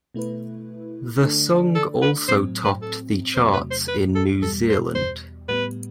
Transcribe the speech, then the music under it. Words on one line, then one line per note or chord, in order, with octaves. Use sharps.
The song also topped the charts in New Zealand.
B2 A3 E4 B4
D3 A3 D4 A4 D5
A4
B4
A2 F#3 C4 C5
B4
A4
E2 C3 F#3 A3 C5
B4
C5
B4
A4
E2 B2 G3 A4
C5
C5
A2 G3 B3 B4